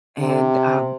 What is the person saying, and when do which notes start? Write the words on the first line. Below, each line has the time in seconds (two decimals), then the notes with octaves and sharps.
and, um
0.19 C3